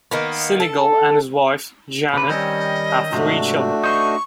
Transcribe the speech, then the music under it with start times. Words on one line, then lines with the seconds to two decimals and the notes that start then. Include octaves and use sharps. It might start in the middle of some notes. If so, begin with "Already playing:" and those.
Sinegal and his wife, Janet, have three children.
0.11 D#3 A#3 B3
0.60 A4
2.13 B2 D3 B4
2.28 D#3 G3 C4 C#4 D#5
3.12 G#2 C3 F3 A3 D4 F#4
3.83 D#4 C5 C#6